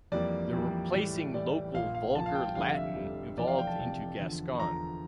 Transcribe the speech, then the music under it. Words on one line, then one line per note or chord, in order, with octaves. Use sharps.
The replacing local vulgar Latin evolved into Gascon.
F2 E3 G3 A#3 D5
F2 E3 G3 A#3
A2 E3 G3
A2 E3 G3 D5
A#1 A#2 F3 F5
F5
A#1 A#2 F3 A5
F5
G5
F1 F2 D3 G3 F5
E5
F1 F2 D3 G3
F1 F2 C3 E3 D5
F5
G5
A5
F1 F2 C3 E3
E2 D3 F3
E2 D3 F3 A#5